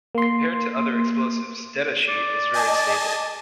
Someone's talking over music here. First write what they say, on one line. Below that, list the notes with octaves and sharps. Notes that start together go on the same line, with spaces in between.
Compared to other explosives detasheet is very stable.
A#3 C6
D5
D#5 G#5 A5